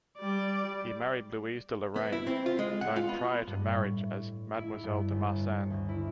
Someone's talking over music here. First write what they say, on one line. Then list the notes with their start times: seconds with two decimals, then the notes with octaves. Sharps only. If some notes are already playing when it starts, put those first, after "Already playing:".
He married Louise de Lorraine, known prior to marriage as "Mademoiselle de Marsan".
0.18 G3 D5
1.96 B3
2.13 E4
2.27 C4
2.46 F4
2.59 G#3
2.81 F#5
2.96 F4
3.09 B3
3.47 G2
3.66 A2
4.57 E4
4.84 G2
5.10 G1
5.70 D2
5.89 E4